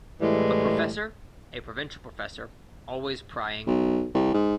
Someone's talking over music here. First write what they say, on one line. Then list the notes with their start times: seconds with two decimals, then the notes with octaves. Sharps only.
A professor, a provincial professor, always prying.
0.22 A2 E3 G3 G#3
3.67 B1
4.14 C2
4.34 G#2